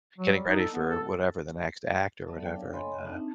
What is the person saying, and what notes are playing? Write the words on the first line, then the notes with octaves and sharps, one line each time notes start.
getting ready for whatever, the next act or whatever, and, uh,
F#3
G3
D#4
A4
B3
A4
F#3 B3 D5 E5 A5
A4 D5 G5
D4 C#5 F5
A4 C#5 D#5 G#5 B5 C6
C4 D4 D#4 E5 A5